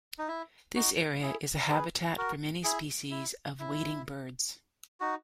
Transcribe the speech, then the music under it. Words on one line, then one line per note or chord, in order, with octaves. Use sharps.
This area is a habitat for many species of wading birds.
D#4
E4
D#4 F#4
E4 G#4
G#4 B4
F#4 A#4
E4 G#4
E4
E4
D#4 F#4